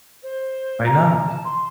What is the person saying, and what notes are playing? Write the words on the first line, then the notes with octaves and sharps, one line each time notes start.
Why not?
C5
A#5
A5
C6